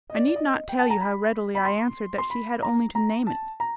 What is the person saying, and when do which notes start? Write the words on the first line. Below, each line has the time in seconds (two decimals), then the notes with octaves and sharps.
I need not tell you how readily I answered that she had only to name it.
0.10 D#5
0.14 D5
0.28 D5
0.36 D#5
0.69 G5
0.79 A5
0.90 A#5
1.01 B5
1.55 B5
1.65 C6
2.18 C6
2.30 B5
2.62 A#5
2.95 A#5
3.27 A5
3.60 A#5